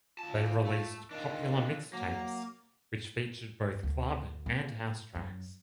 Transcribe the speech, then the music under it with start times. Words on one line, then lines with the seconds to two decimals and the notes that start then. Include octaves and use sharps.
They released popular mixtapes which featured both club and house tracks.
0.19 D2 F4 A5
0.65 A3
1.11 D#3 D4 F4
1.93 F#3 A#3
3.83 D2
4.46 A#2
5.15 F#2